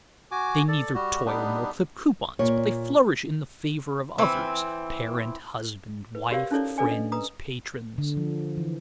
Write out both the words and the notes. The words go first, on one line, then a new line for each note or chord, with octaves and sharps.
They neither toil nor clip coupons, but they flourish in the favor of others--parent, husband, wife, friends, patrons.
F#4 G#5 D6
A4 D5
G3 F#4
G3 B3 D4 D#4
A#2 C#5
E3 C4
B4
F#4 G4 A#4 C#5 D5 F5
C#4 D#4 E4 A4 C#5 D5
D4 A4 B4 D5 G#5
D#5
B4 A#5 D#6
D3
F3
E3